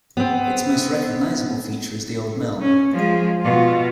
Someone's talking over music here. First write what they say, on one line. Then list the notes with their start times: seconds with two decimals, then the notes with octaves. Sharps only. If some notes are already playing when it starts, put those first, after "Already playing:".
Its most recognisable feature is the old mill.
0.17 B3 C4
2.61 C#4
2.92 F3 G#3
3.42 B2 F4